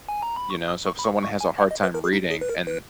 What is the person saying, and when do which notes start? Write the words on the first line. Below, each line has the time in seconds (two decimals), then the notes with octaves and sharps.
you know, so, if someone has a hard time reading and
0.09 G#5
0.22 A#5
0.36 B5
0.50 C#6
0.68 D#6
0.86 C#6
0.99 B5
1.04 C#6
1.23 C#6
1.41 G#5
1.58 F#5
1.71 D#5
1.83 B4
1.95 A#4
2.04 G#4
2.13 D#4
2.31 G#4
2.41 B4
2.49 A#4
2.67 B4